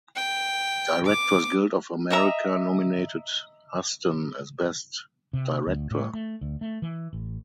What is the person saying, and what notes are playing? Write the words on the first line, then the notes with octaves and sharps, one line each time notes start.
Directors Guild of America nominated Huston as best director.
G5
D6
D#5 E5 A#5
C3
D2
A2
A3
D2
A3
E3
A1